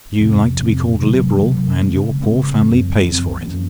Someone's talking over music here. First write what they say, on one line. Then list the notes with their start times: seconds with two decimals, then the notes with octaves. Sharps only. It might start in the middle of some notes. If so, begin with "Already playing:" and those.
You like to be called liberal--and your poor family pays for it.
0.19 F2 C3 F3 C4
0.60 F2 C3 F3 C4
1.00 C3 D#3 F#3 A#3
1.41 C3 D#3 F#3 A#3
1.80 C#3 G#3 C4
2.20 C#3 G#3 C4
2.61 F#2 F3 C4
3.02 F#2 F3 C4
3.41 F#2 F3 A#3 C#4